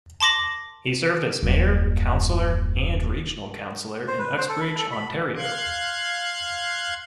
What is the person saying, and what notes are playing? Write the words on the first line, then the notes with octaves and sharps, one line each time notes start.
He served as mayor, councillor and regional councillor in Uxbridge, Ontario.
A5 C6 D6 A#6 F#7
D#1 F#2
C5
B4
C5
A4
B5
A4
B5
F5 C6 F#6 G#6